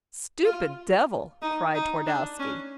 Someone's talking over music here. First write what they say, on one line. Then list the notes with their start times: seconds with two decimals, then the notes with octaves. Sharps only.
"Stupid devil!" cried Twardowski.
0.45 F4
1.42 D#4
1.75 D#4
2.07 D4
2.39 C#4